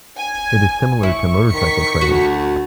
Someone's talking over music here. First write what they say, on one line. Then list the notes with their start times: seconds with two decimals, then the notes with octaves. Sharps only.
It is similar to motorcycle trials.
0.17 G#5
1.03 E4 C#6
1.51 D#3 C#6 B6 C#7
2.01 D2 F#4